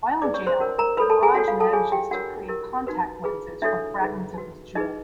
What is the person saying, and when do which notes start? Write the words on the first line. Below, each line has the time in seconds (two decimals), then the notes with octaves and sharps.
While in jail, Mirage manages to create contact lenses from fragments of his jewel.
0.22 D#4 G#4 B4 D5 D6
0.34 C#5 C#6
0.47 C5 C6
0.60 C#4 F#4 A#4 C#5
0.78 A#4 A#5
0.97 F4 A4 B4 C#5 B5
1.10 A4 A5
1.23 G#4 G#5
1.35 F#4 A4 C#5 F#5
1.48 F4 F5
1.60 A4 A5
1.73 F4 G#4 A4 C#5 G#5
1.92 G4 G5
2.11 D4 F4 F#4 A#4 C#5 F#5
2.48 E4 G4 A#4
2.87 D#4 F#4 B4
3.24 F4 G#4 B4
3.62 D4 E4 F#4 A4 C#5 E5
4.00 D#4 G#4 B4
4.38 F#4 B4
4.75 D#4 E4 G#4 B4 D#5